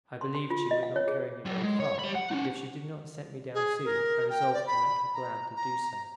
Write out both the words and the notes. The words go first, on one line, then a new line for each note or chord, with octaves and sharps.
I believed she would not carry me very far; but if she did not set me down soon, I resolved to make her glad to do so.
C6
C6
F4
D#5
F5
C#5
G#4
F#3 G4
G#3
C#5
G3 B5
F#5
C#4 D#4
G#4
A#4
G5
D5
B5
A#5
A#5